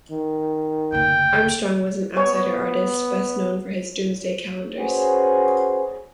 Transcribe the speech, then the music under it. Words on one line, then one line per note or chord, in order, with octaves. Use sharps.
Armstrong, was an outsider artist best known for his doomsday calendars.
D#3
F#1 D2 G5
B3 C#5
C#4 F#4 G#4 B4 C5